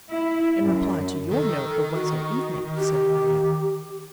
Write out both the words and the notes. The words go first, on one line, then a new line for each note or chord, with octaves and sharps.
"In reply to your note of Wednesday evening," said Henriette.
E4
F#2
D#3 A4
F#4
G4